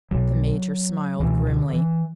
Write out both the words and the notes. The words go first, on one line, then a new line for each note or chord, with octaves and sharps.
The Major smiled grimly.
B1 B2 F#3
C#2 B2 E3
D3
E3